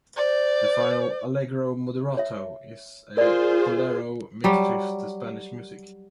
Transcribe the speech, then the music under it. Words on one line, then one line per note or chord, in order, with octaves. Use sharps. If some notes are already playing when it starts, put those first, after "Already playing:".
The final, "allegro moderato", is a "bolero" mixed with the Spanish music.
C5 D5
C#5 E5
F4 G#4 A#4 C5 D5
F#3 G3